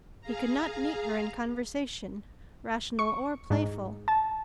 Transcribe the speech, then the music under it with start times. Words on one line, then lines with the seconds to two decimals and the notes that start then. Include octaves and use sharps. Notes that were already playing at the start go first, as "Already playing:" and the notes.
He could not meet her in conversation, rational or playful.
0.21 G#4 F5 A#5
2.99 C#6
3.50 G#2
4.08 A5